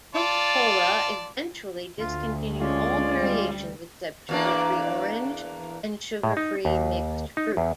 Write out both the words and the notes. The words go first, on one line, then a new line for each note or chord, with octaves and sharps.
Coca-Cola eventually discontinued all variations except sugar-free orange and sugar-free mixed fruit.
F4 D5 A5
D2 F4
G#3 C#4 F4 D5
G3
E2 A#3 D4
A2
D#4
D#2
D#4
E2